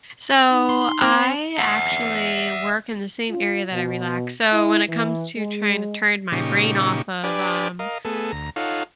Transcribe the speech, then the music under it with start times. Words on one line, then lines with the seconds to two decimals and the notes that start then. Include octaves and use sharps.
So, I actually work in the same area that I relax. So, when it comes to trying to turn my brain off of, um,
0.50 D#4
0.69 C6
1.01 C4
1.58 E5 F#5
3.29 F4
3.72 B2
4.53 E4
4.89 E3
5.37 G#3
6.32 A#2 C#3 D#4 G4 C#6
7.24 D4 G4 B4 D5 G#5
7.79 A#4 D#5 F5
8.05 A3 B3 G#4 A4
8.32 D2 A#5
8.56 D#4 F4 A4 C#5 F5 F#5